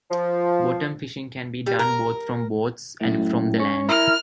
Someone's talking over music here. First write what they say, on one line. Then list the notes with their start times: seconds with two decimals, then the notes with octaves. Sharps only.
Bottom fishing can be done both from boats and from the land.
0.11 F3
1.66 G3
1.79 A#4
3.01 F#2 A2
3.58 C#4 C#5
3.89 E4 A#4 F6